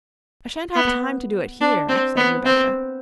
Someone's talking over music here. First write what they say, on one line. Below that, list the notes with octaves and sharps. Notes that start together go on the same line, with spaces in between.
"I shan't have time to do it here," said Rebecca.
B3
D4
C4
B3
C4